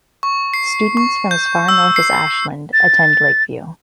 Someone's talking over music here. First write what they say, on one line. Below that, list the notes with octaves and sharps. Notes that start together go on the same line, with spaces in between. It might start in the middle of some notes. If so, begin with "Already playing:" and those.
Students from as far north as Ashland attend Lakeview.
C#6
C7
C#6
G6
E6
C7
A6